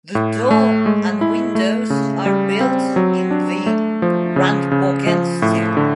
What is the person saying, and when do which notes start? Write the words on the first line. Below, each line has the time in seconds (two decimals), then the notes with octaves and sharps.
The door and windows are built in the Rundbogenstil.
0.15 A2
0.51 A3
0.86 G#3
1.21 E4
1.55 A3
1.90 C#3
2.26 G3
2.61 C4
2.96 F#3
3.31 D4
3.66 A3
4.02 F3
4.36 C#3
4.72 C#3
5.06 F3
5.42 A2
5.77 D3